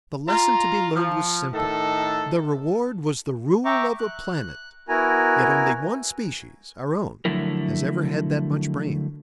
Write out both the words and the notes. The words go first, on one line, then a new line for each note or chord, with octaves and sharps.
The lesson to be learned was simple: the reward was the rule of a planet. Yet only one species, our own, has ever had that much brains.
F4 A#5
F3
A2 D#3 A4
E5 G5 A#5 C#6 D6
F#6
B3 E4 F#4 A#4 G#5 A#5
D3 F3 F#3 A3 E4 A#4